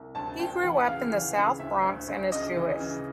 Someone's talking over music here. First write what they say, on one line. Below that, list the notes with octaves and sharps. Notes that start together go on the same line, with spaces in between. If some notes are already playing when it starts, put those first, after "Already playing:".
He grew up in the South Bronx, and is Jewish.
Already playing: C2
D2 A5
D2 G5
E3 F#5
C#3 F5
E3
C#3
D2 E5
D2
D2
C#3 D#5
E3
C#3